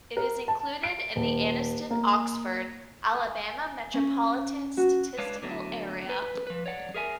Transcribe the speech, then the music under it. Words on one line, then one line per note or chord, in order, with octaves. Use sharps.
It is included in the Anniston-Oxford, Alabama Metropolitan Statistical Area.
A#4
A5
D7
D#1
A#3
G#5
C#4
F#4
G#3 D4 B4 C#5 F5
D3 F#3 A3 B3
B4
F3 B4
C#5 D5 F#5
G#4 A#4 E5 G#5